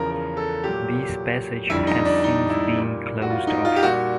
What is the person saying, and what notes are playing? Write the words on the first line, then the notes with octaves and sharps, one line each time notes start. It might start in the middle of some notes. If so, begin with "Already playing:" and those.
This passage has since been closed off.
Already playing: E2 C#3 F3 A#4
A#4
A4
A#2 F#3 G4
F2 D3 G3 E4
D#4
D4
D#4
E4
A#2 G3
F#4
F4
D#4
F4
G4
A#2 G3 F#4